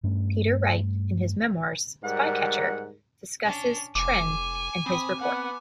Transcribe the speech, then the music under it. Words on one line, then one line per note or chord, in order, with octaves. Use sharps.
Peter Wright in his memoirs, "Spycatcher", discusses Trend and his report.
G2 G3 A3 C#4
G#2 G3 A#4 F#5
C#4 D4
F1 G#5 D6
C4 B5 D#6
B3 F#5